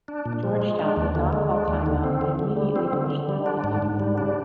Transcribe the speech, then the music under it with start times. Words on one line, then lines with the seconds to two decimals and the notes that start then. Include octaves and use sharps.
Georgetown did not call timeout but immediately pushed the ball up the court.
0.08 D4
0.25 A#2
0.43 F3
0.62 G#3
0.79 D4
0.96 D#2
1.15 D3
1.33 G#3
1.51 D4
1.68 D#2
1.86 D3
2.04 C4
2.21 D3
2.39 D3
2.57 G3
2.76 C4
2.93 D3
3.10 D3
3.29 G3
3.46 D4
3.64 G#2
3.82 G#2
4.00 G3
4.18 D4